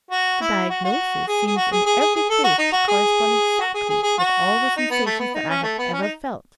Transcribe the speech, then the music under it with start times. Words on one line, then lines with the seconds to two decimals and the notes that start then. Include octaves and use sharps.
The diagnosis seems in every case to correspond exactly with all the sensations that I have ever felt.
0.11 F#4
0.41 E4
0.69 F#4
0.84 F#4
1.27 G#4
1.46 G#4
1.56 F#4
1.71 G#4
1.86 G#4
2.00 G#4
2.15 G#4
2.29 A4
2.44 F#4
2.58 D#4
2.72 F#4
2.88 G#4
3.60 F#4
3.74 G#4
3.89 G#4
4.03 G#4
4.18 F#4
4.76 D#4
4.90 B3
5.05 A3
5.19 B3
5.34 D#4
5.49 C#4
5.63 A3
5.78 B3
5.93 C#4
6.01 D#4